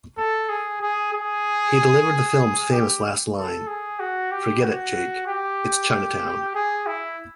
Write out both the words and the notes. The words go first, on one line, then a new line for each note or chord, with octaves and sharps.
He delivered the film's famous last line, Forget it, Jake, it's Chinatown.
A4
G#4
G#4
G#4
G4
A4
G#4
F#4
G4
F#4
G4
G#4
E4